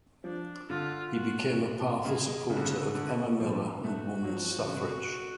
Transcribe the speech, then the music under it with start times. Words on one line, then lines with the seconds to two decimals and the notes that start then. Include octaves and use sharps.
He became a powerful supporter of Emma Miller and Women's suffrage.
0.24 F3 D4
0.69 D3 F4
1.14 F#4
2.05 C#3 G#4
2.27 B2
2.49 C#3 F#4
2.57 D3
2.65 C#3
2.72 D3
2.95 D3
3.40 F3
3.84 A3 F#4
4.24 F#3
4.29 F3
4.51 F3
4.59 D3
4.67 C#3
4.74 B2